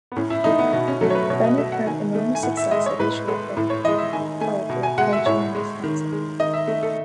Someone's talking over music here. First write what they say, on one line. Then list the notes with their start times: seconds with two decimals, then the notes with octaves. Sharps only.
Bennett had enormous success at each level of collegiate coaching in Wisconsin.
0.12 B3
0.16 A2 C#4
0.30 E4
0.44 E3 A3 D#4
0.59 B3
0.73 B2 B3
0.88 C#4
1.01 F#3 A3 A4
1.10 C#5
1.15 B4
1.30 B2 C#5
1.44 D#5
1.57 A3 E5
1.72 F#5
1.86 D#3 G#5
2.15 A3
2.35 G#5
2.43 A2 F#5
2.57 E5
2.71 G#3 D#5
2.86 C#5
2.99 A2 B4
3.28 G#3 A4
3.57 A2
3.70 C#5
3.84 E3 G#3 D#5
3.98 E5
4.13 D#3 G#5
4.41 A3 G#5
4.69 B2
4.83 G#5
4.98 G#3 F#5
5.13 E5
5.26 A2 C#5
5.55 G#3
5.84 D#3
6.12 G#3
6.40 D#3 D#5
6.54 E5
6.68 A3
6.83 A4